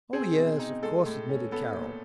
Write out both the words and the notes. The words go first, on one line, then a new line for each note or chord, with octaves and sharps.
"Oh, yes, of course!" admitted Carroll.
C4 G#4
B2
D#4
G#3 A4
A2
C#4
B3 A4
A#2